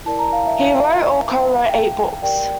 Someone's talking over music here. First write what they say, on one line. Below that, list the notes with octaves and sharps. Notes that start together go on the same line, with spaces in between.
He wrote or co-wrote eight books.
E4 A#4 D5 A5
A#5
F5
E5
F5
G5
G4 A#4 D5 G5